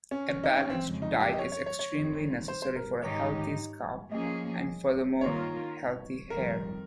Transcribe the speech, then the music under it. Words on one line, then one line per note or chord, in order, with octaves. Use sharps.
A balanced diet is extremely necessary for a healthy scalp and furthermore healthy hair.
C#4
C#4
D#4
C#4
C4
F2 C#3 G#3
D#4
F4
G4
D#5
C#5
C#5
C#5
C#5
F2 D#3 G3 C4
C5
C5
A#4
G#2 D#3 G#3 D#4 G4 C#5
F3 A#3 C#4 G#4 D#5
D#3 A#3 F4 A#4 C#5
F2 D#3 G3 A#4